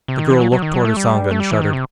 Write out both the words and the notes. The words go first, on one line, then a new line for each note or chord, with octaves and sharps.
The girl looked toward Usanga and shuddered.
C3
D#3
E3
F#3
F#3
D#3
F#3
A3
G3
A3
G3
E3
D#3
C3